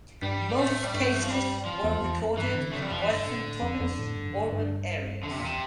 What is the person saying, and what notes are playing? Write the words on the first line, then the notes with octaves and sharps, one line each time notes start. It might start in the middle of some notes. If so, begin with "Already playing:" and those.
Most cases were recorded in Western Province urban areas.
G2 G3
G3
A2 A3
G3
G2 A3
E3
F3
G3
F3
E2
E2
F2
G2 E3
D3
C3 A3
G3
F2 F3
E3
G2 D3
A#2
A2
F2
F2
A2
G2
F2
G2
G2
F2 D3
C3
A#2
E2 C3